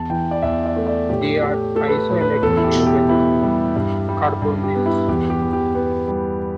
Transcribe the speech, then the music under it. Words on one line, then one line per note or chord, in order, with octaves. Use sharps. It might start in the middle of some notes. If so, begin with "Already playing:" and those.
They are isoelectronic with carbonyls.
Already playing: E2 A5
E3 G5
D5
E2 E5
D5
A3
D5
A2 G4
A3 G4
A3 A4
B4
A4
A2
B4
E2 A4
E4
G4
B2 A4
G4
B3 E4
G3
G2
G3
G2
G4
B3
E4
E2 G4
G4
E3
G4
B3 B4
G3